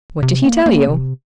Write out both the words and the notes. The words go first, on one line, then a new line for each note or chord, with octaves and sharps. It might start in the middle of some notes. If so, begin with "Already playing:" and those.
"What did he tell you?"
C3
A#3
A#3
C3